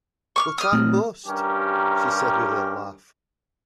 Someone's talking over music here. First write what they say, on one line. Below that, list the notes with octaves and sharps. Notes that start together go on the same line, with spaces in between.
"But I must," she said with a laugh.
C#6 D6 F6
D#6 F6
A#2 A3 C4
G2 D#3 C#4 G4 A#4